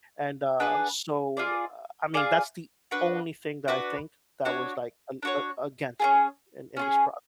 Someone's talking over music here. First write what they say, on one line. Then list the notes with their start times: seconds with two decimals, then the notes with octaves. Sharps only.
And, uh so, uh I mean, that's the only thing that I think that was, like, a a a against me in in this process.
0.60 D4 G#4 B4 F#5
1.37 F4 G#4 D5
2.14 F4 G#4 D5
2.91 D4 F#4 B4
3.68 D4 F#4 B4
4.45 D4 F#4 C#5
5.23 D4 F#4 C#5
6.00 C#4 F4 G#4
6.77 C#4 F4 G#4